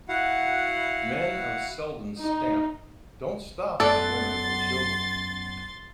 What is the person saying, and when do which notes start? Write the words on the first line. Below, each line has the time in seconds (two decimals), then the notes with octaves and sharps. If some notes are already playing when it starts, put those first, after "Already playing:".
Men of Selden's stamp don't stop at women and children.
0.09 E4 F#4 F5 F#5
2.23 D#4
3.80 F#2 B3 A4 D5 C6 A6